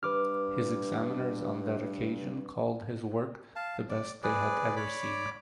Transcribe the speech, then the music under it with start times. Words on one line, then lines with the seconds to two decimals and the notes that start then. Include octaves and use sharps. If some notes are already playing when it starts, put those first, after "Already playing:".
His examiners on that occasion called his work the best they had ever seen.
0.03 G2 B4 D6 F6
3.56 F5 A5
3.89 D5
4.23 G#4 B4 D5
4.76 C#5 D5 B5 D6